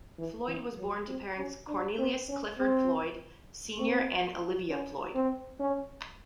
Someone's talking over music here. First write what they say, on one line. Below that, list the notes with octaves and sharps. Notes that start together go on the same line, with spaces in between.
Floyd was born to parents Cornelius Clifford Floyd, Senior and Olivia Floyd.
E3
E3
F#3
C4
C#4
D4
C4
C#4
C4
C4
C#4
C4
C#4